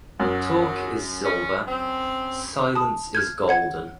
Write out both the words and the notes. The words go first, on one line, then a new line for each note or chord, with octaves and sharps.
Talk is silver, silence is golden.
F#2 F#3
C#4
C4
A5 D#6
F6 G6 G#6
C#5 F#5 G#6